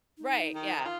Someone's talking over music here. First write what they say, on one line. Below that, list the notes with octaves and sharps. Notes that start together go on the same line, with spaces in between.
Right, yeah.
D#4
D#3
F4